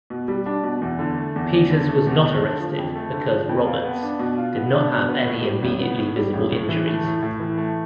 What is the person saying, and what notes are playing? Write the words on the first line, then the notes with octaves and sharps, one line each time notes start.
Peters was not arrested because Roberts did not have any immediately visible injuries.
B2
G3
D4
B2
E2
D3
A3
E2
E2
D3
A3
E2
A3
D3
F3
F2
A3
D3
F3
F2
F4
B3
D4
B2
F4
B3
D4
B2
B3
A2
G3
A1
B3
A2
G3
A1
A2
E3
A3
A2
A2
E3
A3